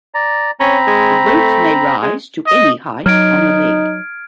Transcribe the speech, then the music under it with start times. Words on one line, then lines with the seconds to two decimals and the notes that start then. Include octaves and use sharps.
The boots may rise to any height on the leg.
0.14 D5 A#5
0.60 C4 C#4 A#5 B5
0.87 G#3
1.25 A3
2.02 G#3
2.47 D#5
3.06 F#3 D#4 F6 G#6 D7